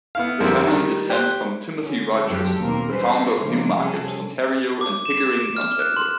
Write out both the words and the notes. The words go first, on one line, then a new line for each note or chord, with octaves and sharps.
The family descends from Timothy Rogers, the founder of Newmarket, Ontario and Pickering, Ontario.
B3 E4 F5
F2 D3 G3 A#3 C4 E4
D#3 G3
G4 C5 F#6
D3 C#4
F#2 F3 F#3 G#3 G4 A4
D#2 B2 D#3 A#3 C4 A#4
E3 G3 C#4 E4 B4 C5
C#3 F3 G#3 A#3 D4
C3 G3 C#4 G#4 A4
D6
E7
F6
F#6
C6